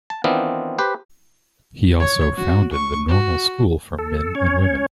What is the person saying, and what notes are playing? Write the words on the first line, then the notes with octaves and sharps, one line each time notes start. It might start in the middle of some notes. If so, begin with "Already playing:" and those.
He also founded the Normal School for Men and Women.
A5
D#3 E3 B3 C4 D4 F4
G4 B4 C5
C#5
F#4
C#6
F#4
A4
C#4 C#5